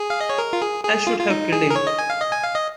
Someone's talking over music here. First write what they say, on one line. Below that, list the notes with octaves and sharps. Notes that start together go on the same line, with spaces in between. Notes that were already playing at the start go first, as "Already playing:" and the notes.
I should have killed him!
Already playing: G#4
F5
D#5
C#5
A#4
F4
G#4
G#4
F4
F4
D#4
G#4
A#4
C#5
D#5
G#5
F5
D#5
G#5
F5
D#5